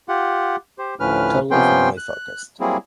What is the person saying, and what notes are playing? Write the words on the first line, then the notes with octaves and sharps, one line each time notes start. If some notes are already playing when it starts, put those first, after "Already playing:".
Totally family focused.
F4 G4 F#5
G4 C5
D2 A2 F3 C#4 B4 F6
C3 F3 B3 C#4 G5 C6
F#6
F#3 G3 A#3 C4 E4 G#4